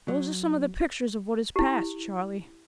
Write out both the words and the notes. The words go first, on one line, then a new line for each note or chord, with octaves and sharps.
'Those are some of the pictures of what is past, Charley.'
F#3
E4 G4